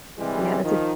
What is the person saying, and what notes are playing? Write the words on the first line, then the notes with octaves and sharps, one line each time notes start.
Yeah, that's a
C3 E3 G3 G#3
D#3 F3